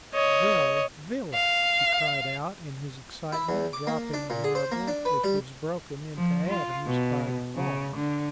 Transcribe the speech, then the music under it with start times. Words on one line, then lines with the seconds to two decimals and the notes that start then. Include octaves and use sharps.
"Vil--Villa!" he cried out, in his excitement dropping the marble, which was broken into atoms by the fall.
0.13 C#5 D#5
1.33 F5
3.32 E4
3.49 E2
3.73 D6
3.87 A#3
4.14 D4
4.30 A#2
4.44 G#4
4.55 C5
4.72 A#3
4.88 D4
5.05 B4
5.24 G3
6.16 F3
6.49 F4
6.86 B2
7.55 C#3
7.95 D3